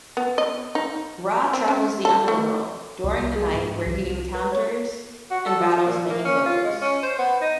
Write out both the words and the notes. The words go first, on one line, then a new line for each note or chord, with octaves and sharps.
Ra travels the underworld during the night where he encounters and battles many foes.
B3
D#5
D#4
C4
C#4
A4
A3
C2
G#4
G#2
C2
B4
C#5
F#4
A4
F3
A#2
A#3
C#4
F4
G#3
C#4
C5
B3
D#4